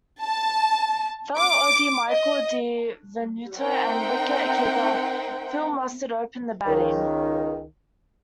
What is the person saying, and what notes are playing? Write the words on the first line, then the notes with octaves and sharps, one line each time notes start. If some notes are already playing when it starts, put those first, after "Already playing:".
Fellow Aussie Michael Di Venuto and wicket-keeper Phil Mustard opened the batting.
A5
D6
D#5
C4 D#4 A#4 E5 F#5 G5
C#2 D#3